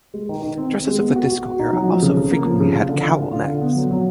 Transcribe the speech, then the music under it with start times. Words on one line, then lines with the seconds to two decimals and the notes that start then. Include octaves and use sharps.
Dresses of the disco era also frequently had cowl necks.
0.14 G#3
0.29 D#3
0.43 D#3
0.58 C4
0.72 C4
0.87 G#3
1.01 B3
1.16 F#4
1.30 F#4
1.45 F#4
1.59 D#4
1.73 F#3
1.88 F3
2.02 C#3
2.17 C#3
2.31 A#3
2.46 F3
2.60 C#3
2.75 F4
2.89 D3
3.04 F4
3.18 D3
3.33 F4
3.47 D3
3.62 B3
3.76 F#3
3.91 F#3